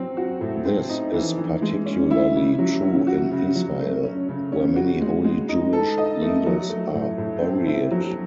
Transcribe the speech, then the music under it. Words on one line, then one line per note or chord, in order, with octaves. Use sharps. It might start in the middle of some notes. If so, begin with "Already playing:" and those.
This is particularly true in Israel were many holy Jewish leaders are buried.
Already playing: F#3 C4
F#4
A2
C4
D#4
E3
E3
G#3
C#4
E4
C#3
F#3
C#4
F#4
C#3
F#3
A3
C#4
C#3
C#4
F#4
G#3
G#3
D#4
A4
D#5
A3
F#3
A3
A2
A2
C4
E4
F#3